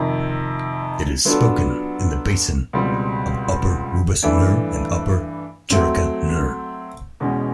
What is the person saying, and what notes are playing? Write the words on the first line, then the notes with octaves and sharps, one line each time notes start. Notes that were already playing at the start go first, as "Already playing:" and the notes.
It is spoken in the basin of Upper Rubas-nir and Upper Chirakh-nir.
Already playing: F2 C3 D#3
F#3 B3 D4 F4 A4
C#2 B2 G3 C4
G2 E3 A3 D4
F#3 A3 C4
E2 B2 G#3 C#4